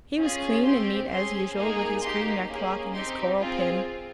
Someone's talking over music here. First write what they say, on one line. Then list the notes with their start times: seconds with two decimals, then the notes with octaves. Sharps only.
He was clean and neat as usual, with his green neckcloth and his coral pin.
0.17 C#4 F4 G#4
0.63 C4 G4 C6
1.09 C#4 G#4 C6
1.55 A#3 D#4 G#4
2.01 A#3 D#4 G4 C6
2.47 A#3 C#4 G#4
2.93 C4 D#4 G4 C6
3.38 C4 F4 G#4